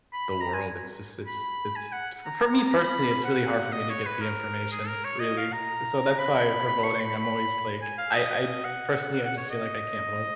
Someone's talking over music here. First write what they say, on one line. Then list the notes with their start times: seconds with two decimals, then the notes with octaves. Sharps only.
the world. It's just it's it's f for me, personally it's really, hard for me to get the information, really so, that's why for voting I'm always like I I personally I just feel like I can't vote.
0.13 B5
0.29 B5
0.41 A#5
0.54 G#5
1.27 B5
1.76 G#5
1.92 F#5
2.25 A#5
2.67 A#5
2.75 B5
3.24 F#5
3.72 D#5
3.90 C#5
4.06 B4
4.21 A#4
4.72 G#4
4.87 A#4
5.04 C#5
5.20 D#5
5.37 F5
5.53 A#5
6.19 B5
6.67 B5
6.84 C#6
7.00 B5
7.16 B5
7.82 G#5
7.98 F5
8.15 D#5
8.64 F#5
9.13 F#5
9.25 F#5
9.37 C#5
9.50 D#5